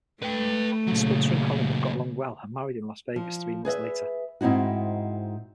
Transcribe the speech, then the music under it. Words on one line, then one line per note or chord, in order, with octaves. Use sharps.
Switzer and Collingwood got along well and married in Las Vegas three months later.
A3 B4 G5
A#2 C#3 F#3
F3
G#4 B4 D#5 E5
G#2 C4 D#4 E4 F#4